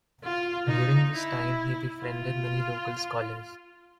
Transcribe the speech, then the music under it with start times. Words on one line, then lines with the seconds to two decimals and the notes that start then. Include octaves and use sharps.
During this time he befriended many local scholars.
0.24 F4
0.68 D#4
1.13 E4
2.02 F4